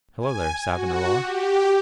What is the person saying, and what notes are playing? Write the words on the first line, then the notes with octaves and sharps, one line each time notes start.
"Hello there, Savonarola."
G#5
F#4
G4